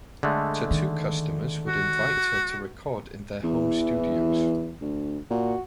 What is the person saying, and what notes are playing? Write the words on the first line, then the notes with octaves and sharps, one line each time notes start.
Tattoo customers would invite her to record in their home studios.
D3 G#3 A3
D#3
F#4
E2 E3
D2
A#2 F#4